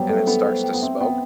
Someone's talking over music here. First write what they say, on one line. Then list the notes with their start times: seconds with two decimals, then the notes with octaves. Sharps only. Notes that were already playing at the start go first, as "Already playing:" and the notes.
and it starts to smoke,
Already playing: F#3 G3 B3 C5 G5
0.09 A3 A4
0.27 B3 A4
0.45 C5
0.64 G5
0.74 B3
0.82 C4 E5
1.01 B3 G5